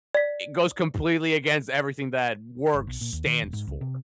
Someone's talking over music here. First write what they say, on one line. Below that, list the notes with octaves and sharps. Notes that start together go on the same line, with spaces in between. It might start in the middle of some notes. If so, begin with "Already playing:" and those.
it goes completely against everything that work stands for.
D5 B6
G1
B1
A#2
D#2
D#3
E1
G#2
C#2
C3